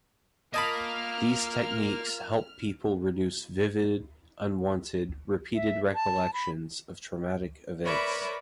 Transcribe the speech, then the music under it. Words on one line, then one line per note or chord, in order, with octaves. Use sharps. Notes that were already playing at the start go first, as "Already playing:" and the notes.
These techniques help people reduce vivid, unwanted, repeated recollections of traumatic events.
A#3 F4 A#4 D#5 A5 B5 F6
E5
A5
B5
A#4 B4 C#5 D5 E5 B5